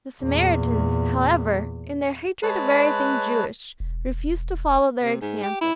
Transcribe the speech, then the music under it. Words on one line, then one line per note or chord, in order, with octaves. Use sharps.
The Samaritans, however, in their hatred of everything Jewish, refused to follow their example.
E2 A#2
G#3 B4 C#5 A5 B5 F#6
E1
C3
G#2
G4
E4